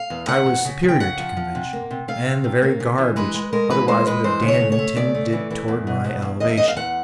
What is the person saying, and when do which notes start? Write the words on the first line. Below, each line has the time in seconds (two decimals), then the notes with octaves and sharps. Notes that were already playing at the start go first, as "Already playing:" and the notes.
I was superior to convention, and the very garb which otherwise would have damned me tended toward my elevation.
Already playing: F5
0.10 E2
0.28 C#3 F#5
0.46 E2
0.65 C#3
0.83 C#3
0.88 G5
1.00 C#3 F#5
1.19 F3
1.37 F3
1.55 C3
1.73 A#3
1.91 C3
2.08 C3 F5
2.26 C3
2.44 C3
2.62 A#3
2.80 C#3
2.98 E3
3.16 G#3 B4
3.34 G#3
3.53 G#3 A#4
3.70 E3 B4
3.88 G#3 C5
4.06 G#3 B4
4.24 E3 C5
4.42 C#3
4.48 C#5
4.60 A3
4.72 C#5
4.78 A3
4.96 C#3 D5
5.14 A3
5.32 E3
5.50 E3
5.68 E2
5.87 B2
6.04 E2
6.22 E2
6.40 E2 D#5
6.49 E5
6.57 E2 D#5
6.68 F5
6.76 E2 F#5